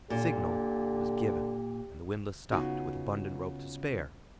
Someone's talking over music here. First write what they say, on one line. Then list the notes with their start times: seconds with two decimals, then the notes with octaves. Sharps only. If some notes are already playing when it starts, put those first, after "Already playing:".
The signal was given and the windlass stopped, with abundant rope to spare.
0.10 A#2 D3 G4
2.52 C#3 B3 D#4 F4 F#4